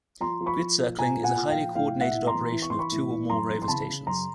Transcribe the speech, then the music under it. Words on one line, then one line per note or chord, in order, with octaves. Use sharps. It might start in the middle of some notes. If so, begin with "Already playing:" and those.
Grid circling is a highly coordinated operation of two or more rover stations.
F3 A#5 C6
F3
B5 C#6
F3
A#2
A#2 G#5 A#5
A#2
F#5 G#5
A#2
F5 G5
F3
A2 F5 G5
A2
E5 F#5
A2
A#5 C6
E3
E3
C#6
E3 C6
B5 C#6
A2
E3
F#2 A#5 C6
E3
C6
C#3 A5 B5
C#3
F#2 A#5 C6